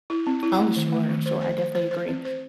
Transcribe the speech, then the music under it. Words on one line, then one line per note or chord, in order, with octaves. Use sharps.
Oh, sure, sure, I definitely agree,
E4
C4
E4
A3
D#3
A3
D#3
C5
C5
C5
C5
C5
C4
C5